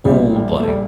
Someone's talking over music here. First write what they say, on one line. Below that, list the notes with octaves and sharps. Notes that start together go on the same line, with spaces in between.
old, like,
A#1 A#2 G3
G3
A3
G3